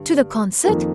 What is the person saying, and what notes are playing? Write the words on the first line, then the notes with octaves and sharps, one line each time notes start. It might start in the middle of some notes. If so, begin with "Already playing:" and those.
"To the concert?"
Already playing: G2 D3
F2 D#3 A#3 A#4